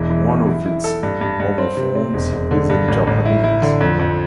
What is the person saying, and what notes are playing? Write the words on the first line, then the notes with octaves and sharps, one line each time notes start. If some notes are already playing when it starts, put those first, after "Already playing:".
One of its homophones is in Japanese.
Already playing: E1 E3
E3
E2
E4
E4
A4
G2
G2
G2
C4
C3
C4
E1
E1
D3
G2
A1
A1
E4
E4
D3
F2
F2